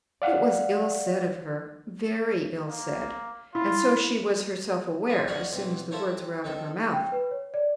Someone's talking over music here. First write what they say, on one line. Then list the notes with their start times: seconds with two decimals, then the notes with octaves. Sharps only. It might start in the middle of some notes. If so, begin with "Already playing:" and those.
It was ill said of her,--very ill said, and so she was herself aware as soon as the words were out of her mouth.
0.22 D5 F5 F#5
2.70 A#3
3.55 E4 F4
5.09 F3 G#3 C4
5.27 G#3 F#4 C#5 D5 F5 F#5
5.53 B1 E3 C4
5.91 E4 F4 A4 A#4 C5 C#5
6.07 C4
6.44 D#3 C4 A4
6.93 G5
7.12 B4
7.31 C#5
7.54 D5